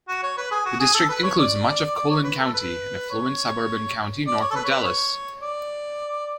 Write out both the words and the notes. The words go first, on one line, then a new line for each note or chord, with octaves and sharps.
The district includes much of Collin County, an affluent suburban county north of Dallas.
F#4
C#5
B4
G#4
F#4
G#4
A4
B4
C#5
D5
D5
C#5
B4
A4
B4
C#5
D5
C#5
A4
B4
C#5
B4
C#5
D5